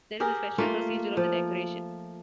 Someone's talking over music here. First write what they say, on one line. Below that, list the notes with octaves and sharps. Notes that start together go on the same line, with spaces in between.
There is a special procedure of the decoration.
G4 G#4 A#4
A3 A#3 F4
F3